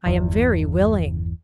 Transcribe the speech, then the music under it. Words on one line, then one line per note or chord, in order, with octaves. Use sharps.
"I am very willing."
G1 E2